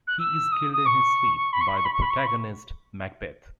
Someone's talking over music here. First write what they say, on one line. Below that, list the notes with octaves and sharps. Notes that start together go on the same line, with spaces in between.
He is killed in his sleep by the protagonist, Macbeth.
F#6
E6
D#6
D#6
C#6
B5
C#6
B5
C#6
B5
C#6
B5
C#6
B5
C#6